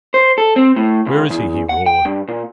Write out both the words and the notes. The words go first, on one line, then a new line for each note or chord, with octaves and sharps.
"Where is he?" he roared.
C5
A4
C4
A2
C#2
E2
F#5
G5
G2
A#2